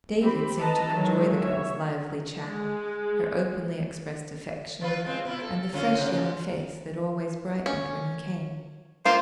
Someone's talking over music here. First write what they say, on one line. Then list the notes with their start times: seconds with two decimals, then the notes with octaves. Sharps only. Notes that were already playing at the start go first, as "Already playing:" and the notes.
David seemed to enjoy the girl's lively chat, her openly expressed affection, and the fresh young face that always brightened when he came.
0.21 C4 G4 B5
0.56 A4 B4 D#5 A5 A#5
0.93 D#3 F#3 G#3
1.36 C#5 E5
2.40 G#3
4.81 E3 F4 B4
5.05 G#3 C4 F4
5.25 B2 E4 F4
5.41 A4
5.73 D3 C#4 F4
5.94 G#2 C#3
7.66 C#4
9.05 A#3 F4 C5